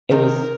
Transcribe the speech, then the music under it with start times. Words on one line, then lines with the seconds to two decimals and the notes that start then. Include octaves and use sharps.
It was
0.11 C3 D#3 A#4